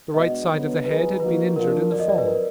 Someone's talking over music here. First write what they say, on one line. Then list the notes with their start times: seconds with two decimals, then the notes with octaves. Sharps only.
The right side of the head had been injured in the fall.
0.14 B2 G#3 B3 D4 F#4 D#5
0.49 D3 F#3 B3
0.85 F#3 B3 D#4 G#4 B4
1.20 F3 A#3 D#4 F#4 B4
1.56 F3 A#3 D4 F4 A#4
1.92 F2 D#3 F#3 D5
2.00 D#5
2.09 D5
2.18 B4
2.27 A#4